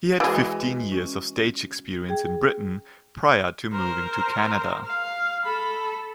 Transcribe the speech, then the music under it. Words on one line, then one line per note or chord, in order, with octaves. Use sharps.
He had fifteen years of stage experience in Britain prior to moving to Canada.
E3 G#3 F#4
C#4
G#4 G5
A#4 C5
F5
A4 B5